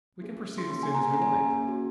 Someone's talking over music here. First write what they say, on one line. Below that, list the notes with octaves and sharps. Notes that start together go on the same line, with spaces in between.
We can proceed as soon as we like.
A#3 C#4 G#4
A#3 C#4 G#4 C6
C6
G#5
A#3 C#4 G#4 A#5
G#5
A#5
G#5
A#3 C#4 G#4
C#4 F#4